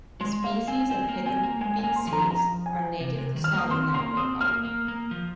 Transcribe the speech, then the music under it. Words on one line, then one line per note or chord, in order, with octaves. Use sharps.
The species of "Heteropyxis" are native to southern Africa.
G#3 C6
A#3 F5
C4 G#5
C4 G#5
A#3
C4 G#5
A#3
G#3 G#5
G#5
A#3
C6
F3
A#5
A#5
G#5
C3
C3
D#3
F6
A#3 D#6
C4 C6
A#3 C6
C4 D#6
A#3 F6
A#3
A#3
F3